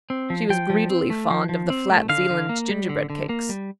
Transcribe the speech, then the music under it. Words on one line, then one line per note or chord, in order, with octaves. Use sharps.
She was greedily fond of the flat Zealand gingerbread cakes.
C4
F3
F3 G5
F3
C4
A3
F3
F3
C4
A3
D3 F5
D3
A#3
G3
D3
D3
A#3
G3